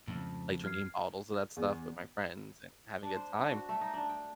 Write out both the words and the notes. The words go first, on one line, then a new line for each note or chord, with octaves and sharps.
like drinking bottles of that stuff with my friends and having a good time,
F2 G#2 C#3 A3
F6 G#6 C7
E2
D4
C5
D4
F#4
A3
D#4
D4
G5